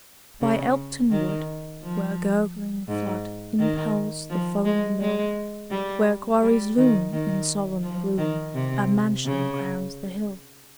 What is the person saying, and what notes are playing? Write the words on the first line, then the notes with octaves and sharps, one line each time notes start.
By Elkton wood, where gurgling flood Impels the foamy mill, Where quarries loom, in solemn gloom, A mansion crowns the hill.
C#3
D#3
F3
G#2
D#3
F3
G#3
G#3
G3
G3
D#3
D#3
F3
D#3
C3
C#3